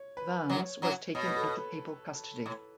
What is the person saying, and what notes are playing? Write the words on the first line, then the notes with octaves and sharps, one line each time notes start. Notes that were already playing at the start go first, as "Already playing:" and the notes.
Vannes was taken into papal custody.
Already playing: C#5
B4
F#2 F#3 C#5
F#2 F#3
B2 C#5
B4
A4
B4
A2